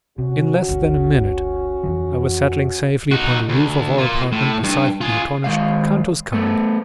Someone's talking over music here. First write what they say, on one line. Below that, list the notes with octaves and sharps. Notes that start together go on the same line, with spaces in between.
In less than a minute I was settling safely upon the roof of our apartment beside the astonished Kantos Kan.
C3 C#4 F#4
G1 D2
F2 E3 F3
D#4 F#4
D2
A#3 F4
A2
G2
F4 G#4
D#3 G#3 F5
A3 B3